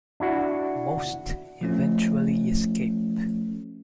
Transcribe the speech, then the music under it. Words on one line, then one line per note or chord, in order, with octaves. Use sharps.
Most eventually escape.
D4 E4 F#4
F3 A3 C#4